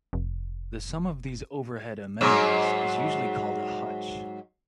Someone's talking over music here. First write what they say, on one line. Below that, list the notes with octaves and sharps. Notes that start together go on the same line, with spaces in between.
The sum of these overhead amenities is usually called a hutch.
F1
G#2 F#3